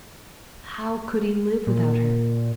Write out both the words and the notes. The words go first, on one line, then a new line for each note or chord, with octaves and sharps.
How could he live without her?
A#2